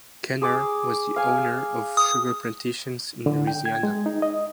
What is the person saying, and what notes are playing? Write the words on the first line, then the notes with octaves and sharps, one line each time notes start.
Kenner was the owner of sugar plantations in Louisiana.
G#4 D6 E6
F5 G#5
D#6
D3
G5
G#6
G#3
D#4
D#5